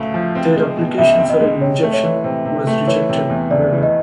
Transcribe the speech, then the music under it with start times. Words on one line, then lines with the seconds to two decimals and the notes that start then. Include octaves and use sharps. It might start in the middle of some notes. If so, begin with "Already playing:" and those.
Their application for an injunction was rejected however.
Already playing: D2 C#3 A3 F5
0.14 F3
0.35 C4
0.56 G#3
0.77 B2
0.98 C#2 E5
1.19 C4
1.30 D#5
1.41 G#3
1.61 C3 C#5
1.83 A3
1.93 C#5
2.03 E3
2.24 C3 C5
2.45 C3
2.67 A3
2.87 E3 C#5
3.09 C3
3.30 E2
3.51 F1 D5
3.72 E3
3.83 D#5